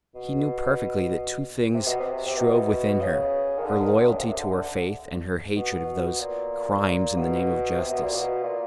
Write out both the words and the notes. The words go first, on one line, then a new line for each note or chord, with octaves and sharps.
He knew perfectly that two things strove within her, her loyalty to her faith and her hatred of those crimes in the name of justice.
B2
C3
B2
C3
C3
B2
C#3
D#3
D3
D#3
D3
C#3
C3
C3
D3
D3
B2
B2
A#2
B2
C3
B2
A#2
B2
A#2